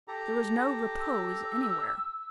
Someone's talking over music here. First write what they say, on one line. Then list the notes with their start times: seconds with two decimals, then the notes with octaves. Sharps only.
There was no repose anywhere.
0.08 G4 A4 A#5
1.00 E6